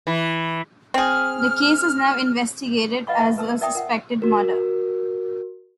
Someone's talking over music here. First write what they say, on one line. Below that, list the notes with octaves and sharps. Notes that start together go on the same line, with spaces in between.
The case is now investigated as a suspected murder.
E3
C4 G#4 F6
B4 D#5 F5 F#5 B5 C#6
E5 A5 C#6
B4 A5 E6
A#4 D5 E5 G5 A5 D#6
A#4 F#5
F#4 A#4